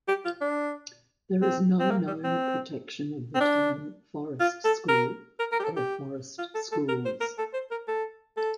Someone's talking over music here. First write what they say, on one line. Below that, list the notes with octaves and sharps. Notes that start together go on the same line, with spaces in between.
There is no known protection of the term "forest school" or "forest schools".
G4
F4
D4
C4
C4
A#3
G3
C4
C4
D4
F4
A4
A#4
A#4
A#4
G4
A4
G4
F4
A4
A4
A#4
C5
A#4
A4
C5
A#4
A4
A4